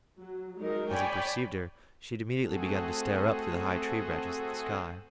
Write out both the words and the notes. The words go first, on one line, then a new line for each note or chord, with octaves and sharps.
As he perceived her, she had immediately begun to stare up through the high tree branches at the sky.
F#3
F#3 G#3 D#4 A#4
C#5 D5 G5 G#5 B5
A3 C4 F#4 G#4 A4